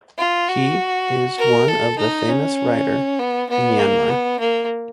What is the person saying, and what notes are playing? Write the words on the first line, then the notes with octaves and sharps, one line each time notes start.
He is one of the famous writer in Myanmar.
F4
F#4
A#4
A4
D#4
C#4
B3
B3
A#3
B3
A#3